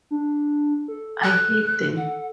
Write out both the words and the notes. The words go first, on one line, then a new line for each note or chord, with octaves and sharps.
I hate them.
D4
A4
F#6
F#5